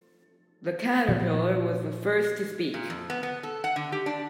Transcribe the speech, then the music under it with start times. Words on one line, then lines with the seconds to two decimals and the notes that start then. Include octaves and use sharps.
The Caterpillar was the first to speak.
1.08 A#2 F3
2.74 A#2
2.90 F2
3.10 B3
3.23 B3
3.43 A4
3.64 F#5
3.76 D3
3.92 G4
4.06 D4